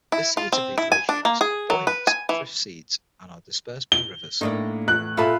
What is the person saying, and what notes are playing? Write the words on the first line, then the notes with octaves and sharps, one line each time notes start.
The seeds of these legumes are buoyant drift seeds, and are dispersed by rivers.
E4
F4
C4
E4
G#5
D4
A#3
G#4
F#3
B4
G#5
E3
G7
A2 A#3 D4 D#4
E2 F#6
A#2 F4 A4 E5 B5